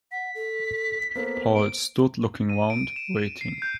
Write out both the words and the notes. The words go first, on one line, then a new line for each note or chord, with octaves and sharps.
Paul stood looking round, waiting.
F#5 B6
A4
A#3 B3 A4 C5
D7
D#7
D7
E7
C7
G6